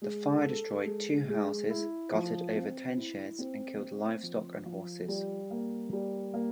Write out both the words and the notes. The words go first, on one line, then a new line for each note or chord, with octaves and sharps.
The fire destroyed two houses, gutted over ten sheds and killed livestock and horses.
G#3
A4
G#3
G#3
E4
F3
C4
E4
C4
C4
F3
F3
G3
A#3
G3
A#3